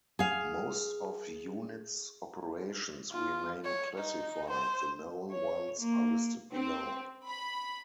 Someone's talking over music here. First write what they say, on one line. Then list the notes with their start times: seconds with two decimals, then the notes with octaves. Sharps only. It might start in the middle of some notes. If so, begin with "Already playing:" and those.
Most of unit's operations remain classified, the known ones are listed below.
0.19 G#4 F5
3.11 F4
3.64 C#5
3.98 D#4
4.50 C5
5.31 C#5
5.79 A#3
6.54 C4
7.27 B5